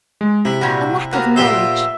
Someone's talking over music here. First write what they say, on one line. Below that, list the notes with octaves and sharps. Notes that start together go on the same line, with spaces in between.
A lack of knowledge.
G#3
C3 E4
A#2 G3 F#4
A#3 B3 F#4
A#2 G4 C5 E5